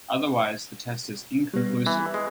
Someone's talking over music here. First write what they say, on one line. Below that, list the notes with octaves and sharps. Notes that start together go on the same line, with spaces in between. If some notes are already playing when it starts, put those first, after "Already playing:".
Otherwise the test is inconclusive.
G3 B3
E3
G#3